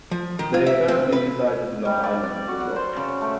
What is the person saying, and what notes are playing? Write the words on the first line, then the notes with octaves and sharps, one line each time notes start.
They currently reside in Long Island, New York.
F3
D#3
F4
E5
C4
B4
G3
D5
D5
F#4
F#5
C5
C#3
A3